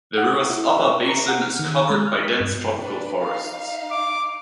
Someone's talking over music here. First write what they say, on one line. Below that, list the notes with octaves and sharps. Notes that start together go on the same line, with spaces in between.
The river's upper basin is covered by dense tropical forests.
F#5
E4
E5
A#5
F#5
F6
D#3
G#3
F6
B6
G2
D4 B4 D5
D#4 F5
D6